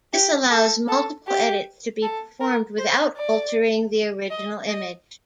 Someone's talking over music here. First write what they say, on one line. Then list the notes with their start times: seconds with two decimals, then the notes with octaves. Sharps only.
This allows multiple edits to be performed without altering the original image.
0.13 G4
0.51 A4
0.88 A4
1.27 G4
2.03 A4
2.40 A#4
2.78 C5
3.17 D5
4.30 D#5
4.68 D#5